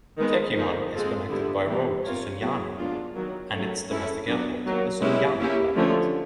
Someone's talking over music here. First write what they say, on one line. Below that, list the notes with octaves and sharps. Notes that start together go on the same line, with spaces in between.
Techiman is connected by road to Sunyani and its domestic airport, the Sunyani Airport.
D#3 G#3 B3
D3 F3 A#3 D#4 G#4
G#3 C4 F4 A4
D3 G3 B3 E4 G4
E3 G3 B3
C4 F4 A#4 C#5
F#3 B3 E4 G#4
G#3 B3 D4 F4
D#3 F#3 A#3
F#3 A3 C#4
G#3 C#4 E4 A4
F#3 B3 D4 F#4
D#3 F#3 A#3
G#3 C#4 E4 G4 B4
A#3 C#4 E4 G4
D3 F3 A3 C#4